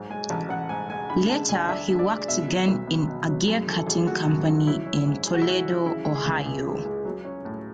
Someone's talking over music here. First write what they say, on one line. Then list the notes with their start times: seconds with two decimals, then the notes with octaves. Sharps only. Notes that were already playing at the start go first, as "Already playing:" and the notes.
Later, he worked again in a gear-cutting company in Toledo, Ohio.
Already playing: G#2 F#3
0.10 G#3 G#5
0.30 A1 A5
0.49 A1 F#5
0.69 G#2 G#5
0.89 G#3 G#5
1.10 D3 B5
1.29 G#3 A5
1.49 D2 G#5
1.69 D4 E5
1.89 D3
1.99 D5
2.09 G#3
2.28 B2 E5
2.48 F#3
2.68 B1
2.87 B3
3.07 B2
3.28 F#3
3.48 F#2 G#4
3.67 E3 A4
3.87 G#1 G#4
4.07 A3 F#4
4.28 F#2
4.47 E3
4.67 F#3 E4
4.86 C#4
5.06 G#2
5.26 E4 G#4
5.34 F#4
5.42 E4
5.46 F#3 F#4
5.66 C#4
5.86 C#3 E4
6.05 G#3
6.15 G#4
6.25 C#2
6.46 C#2
6.66 C#3
6.85 G#3
7.05 F#3
7.25 C#4
7.45 A2